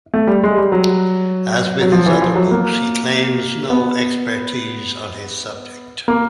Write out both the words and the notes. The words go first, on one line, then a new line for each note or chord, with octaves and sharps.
As with his other books he claims no expertise in his subject.
A3
G3
G#3
G3
F#3
F#3
F3
E3
F3
F#3
A#3
B3
A#3